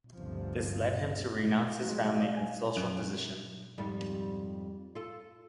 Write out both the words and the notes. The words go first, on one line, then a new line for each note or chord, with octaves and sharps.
This led him to renounce his family and social position.
G1 D2 G2 C3 F3
F#3 G#3
D5 D#5 F5
G#5
F#2 F#6 D7
F2 G#2 G3
F4 A4